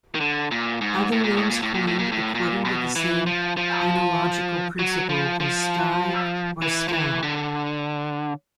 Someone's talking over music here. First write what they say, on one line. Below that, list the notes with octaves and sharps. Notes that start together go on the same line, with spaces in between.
Other names coined according to the same analogical principle are "sti" or "stau".
D#3
D3
A#2
G#2
A2
A#2
A2
A#2
A2
A#2
A2
A#2
A2
A#2
B2
E3
F3
F3
F#3
F3
F3
E3
F3
E3
D3